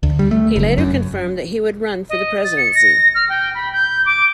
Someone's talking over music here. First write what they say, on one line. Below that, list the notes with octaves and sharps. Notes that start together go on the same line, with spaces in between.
He later confirmed that he would run for the presidency.
D2
G3
A3
F#1
F#2
D#5
A6
C#7
A#6
F6
G5
B5
G6
D6